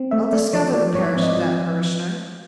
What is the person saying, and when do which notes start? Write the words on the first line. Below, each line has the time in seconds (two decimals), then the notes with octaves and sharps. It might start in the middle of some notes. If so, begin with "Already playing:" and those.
I'll discover the parish of that parishioner.
Already playing: C4
0.11 A3 E5
0.32 A3 D5
0.53 F3 C#5
0.74 F3 D5
0.95 G#2 C#5
1.01 D5
1.16 C4
1.22 D#5
1.30 D5
1.37 F3